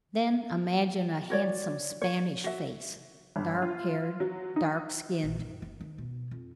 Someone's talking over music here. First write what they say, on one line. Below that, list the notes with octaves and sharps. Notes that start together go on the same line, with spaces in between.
Then imagine a handsome Spanish face--dark-haired, dark-skinned.
F#4 C#5 D5
C#5
F#4 E5
G1
F4
F#3
D#4
A#1
F#2
F#1
D#3
B2
F2